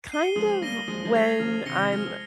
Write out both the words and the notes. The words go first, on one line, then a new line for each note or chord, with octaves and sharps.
Kind of when I'm
C7 D#7 G7
F3 G#3 D#6
G3 A#3 A#6 D#7 G7
F3 G#3 D#6
F3 G#3
G#6 C7 F7
C#3 F3 F6
C3 D#3 A#6 C#7 G7
F3 G#3 F6